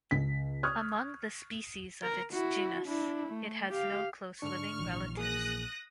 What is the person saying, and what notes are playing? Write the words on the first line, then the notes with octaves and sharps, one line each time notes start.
Among the species of its genus, it has no close living relatives.
C#2 B6
C#6 D#6 F6 F#6 G#6
A#4
E4 F#4
D4 E4
A3
G4 F5
G#2 D3 D4 C#6 F6
A#1 E3 F#3
A#3 G#4 D#6 F#6 A#6